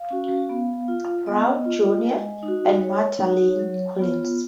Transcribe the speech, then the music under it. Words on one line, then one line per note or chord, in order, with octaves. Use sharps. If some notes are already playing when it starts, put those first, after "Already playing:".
Brown, Junior and Martha Layne Collins.
Already playing: F5
C#4 F#4
B3
F4
B3 D#5
F4
G#3
D#4
F#4
G#3 C#5
D#4
F#4
F#3
B3 F4